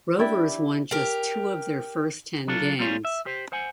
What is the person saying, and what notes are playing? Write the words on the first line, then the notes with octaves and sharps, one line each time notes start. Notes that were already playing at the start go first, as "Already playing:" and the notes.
Rovers won just two of their first ten games.
D4 E4 G4 D5
G4 A#4
F#3 D4 F4 A4
G3 A#3 C4 F4 G#4 C#5
E5
G4 C5
C5 F#5 G#5